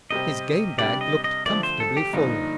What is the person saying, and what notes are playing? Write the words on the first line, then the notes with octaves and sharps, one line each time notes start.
His game-bag looked comfortably full.
C3 G3 C4 G4 D#5
C3 G3 D4 G4 D5
D#5
D#5
D3 F3 A3 D5
C5
A4
G4
G2 D3 F3 A#3 D#4